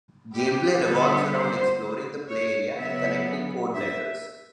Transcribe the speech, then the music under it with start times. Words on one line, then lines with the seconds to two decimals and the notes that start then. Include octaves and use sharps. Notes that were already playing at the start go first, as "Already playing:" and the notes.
Gameplay revolves around exploring the play-area and collecting code-letters.
0.35 G4
0.83 D3 G3 B3 A4
1.32 C5
2.29 C#5
2.77 C#3 F#3 B3 E5
3.74 E5